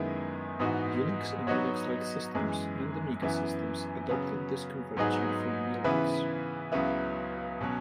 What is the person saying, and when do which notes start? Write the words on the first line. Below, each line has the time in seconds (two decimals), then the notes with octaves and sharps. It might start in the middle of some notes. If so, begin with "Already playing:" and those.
Unix and Unix-like systems, and Amiga systems, adopted this convention from Multics.
Already playing: F#2 D#3 G#3 B3 E4
0.59 G#2 E3 B3 D#4 F#4
1.47 F#3 B3 D#4 F#4 C#5
2.35 F#2 E3 G#3
3.22 F#2 E3 B3 E4
4.09 C#3 F#3 B3
4.97 G#2 F#3 B3 D#4 G#4
5.84 C#3 E3 B3 E4 B4
6.72 C#2 C#3 F#3 B3 E4
7.61 B2 F#3 C#4